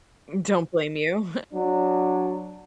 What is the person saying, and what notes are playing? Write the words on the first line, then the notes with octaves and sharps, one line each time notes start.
Don't blame you.
F#3 D4